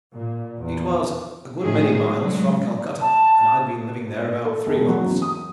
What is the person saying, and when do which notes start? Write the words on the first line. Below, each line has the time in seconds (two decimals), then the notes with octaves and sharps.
It was a good many miles from Calcutta, and I'd been living there about three months.
0.14 A#2
0.60 E2
1.61 A2 D#3 F3 G#3 G#4
2.21 F#3 G#3
3.01 A5
4.45 A4
4.66 E1
4.89 F#3
5.05 E2
5.22 D#6